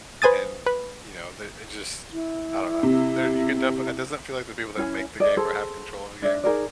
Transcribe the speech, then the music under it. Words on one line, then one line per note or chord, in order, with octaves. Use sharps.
And, you know, they it just I don't know, there you can defi it doesn't feel like the people that make the game or have control of the game
B4 C5 G#5 D#6 A6
B4
E4
C3
C#4 E4 C#5 G#5
A4 D5 D#5
G#4 A4 C5
D4 D5 E5
D#4 G#4 A#4 D5